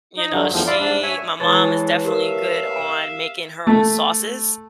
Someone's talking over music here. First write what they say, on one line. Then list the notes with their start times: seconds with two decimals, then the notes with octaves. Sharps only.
you know, she my mom is definitely good on making her own sauces.
0.17 D#4
0.32 G2 D3 F#3
0.52 E2 A2 F3
0.67 D5 E5 F5 B5 C6 D6
0.80 G#2 D4
1.03 C#5 E5 G#5
1.40 E3 G#3 B4 C#5 A5 A6
2.05 G4 A#4 E5 F5
3.67 A3